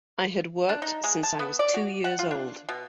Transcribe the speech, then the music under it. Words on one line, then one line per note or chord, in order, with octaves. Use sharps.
I had worked since I was two years old.
D4
D#4
G#3
A5
B3
D5
F#4
F#5
F4
D4
B2